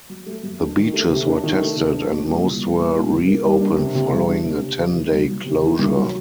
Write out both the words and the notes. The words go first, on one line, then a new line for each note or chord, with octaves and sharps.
The beaches were tested and most were reopened following a ten-day closure.
F#3
A3
F#2
D4
D#3
A3
C3
D4
D#3
A3
C3
D4
A#2
G3
C2
A#3
A#2
G3
C2
A#3
G3
D4
C3
C3
G3
D4
C3
C3
C3
D#3
C2
F#3
C3
D#3
C2
F#3